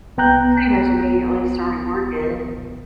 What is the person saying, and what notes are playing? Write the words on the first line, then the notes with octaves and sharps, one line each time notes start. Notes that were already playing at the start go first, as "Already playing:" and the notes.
Pretty much immediately started working,
C2 B3 G5 A#5 F#6 G6